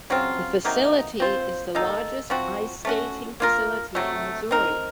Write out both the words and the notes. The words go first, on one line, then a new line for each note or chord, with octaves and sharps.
The facility is the largest ice skating facility in Missouri.
C#3 F#3 C4 F4
C3 F#3 A#3 D#4
C4 F4 C5
D#3 A#3 D#4 A4
F3 C4 F#4
A3 C#4 F#4
A#3 F4 A#4
C3 F#3 A3
C4 D#4 A#4